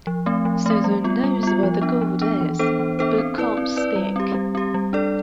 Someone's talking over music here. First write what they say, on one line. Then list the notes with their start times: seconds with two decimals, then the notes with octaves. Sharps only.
Susan knows where the gold is, but can't speak.
0.07 F3
0.26 A3 C4
0.45 F3
0.66 A3 C4
0.84 G3
1.04 B3 F4
1.24 G3
1.43 B3 F4
1.63 F3
1.81 B3 D4
2.01 F3
2.22 B3 D4
2.41 E3
2.59 B3 D4 A4 C5
2.79 E3
2.99 B3 D4 A4 C5
3.18 C4
3.38 E4 B4 D5
3.57 C4
3.76 E4 B4 D5
3.96 G3
4.16 C4 G4
4.34 G3
4.55 C4 G4
4.74 G3
4.93 D4 A4 D5